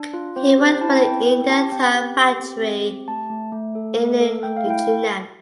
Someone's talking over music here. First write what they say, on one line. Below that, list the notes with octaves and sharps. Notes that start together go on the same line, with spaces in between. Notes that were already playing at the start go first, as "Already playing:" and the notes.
He worked for the India Tyre factory in Inchinnan.
Already playing: D4
F4
C4 C5
G4 C5
E4 A5
C4 G5
E4 G5
G4 A5
C4 G5
G4
G4
C4
C4
G4
A3 A5
A3
A3
A4
A3
A4
A3 G5
F5
E4 G5